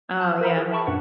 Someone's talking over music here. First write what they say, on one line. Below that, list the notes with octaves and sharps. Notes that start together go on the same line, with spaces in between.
Oh yeah.
A5 F#6 G6
A#4 C5 E5 F#5 A#5 B5
G#4 A#4 B4
E5 G5 A5 B5 C#6
F#2 A#2 D4 B4 F#5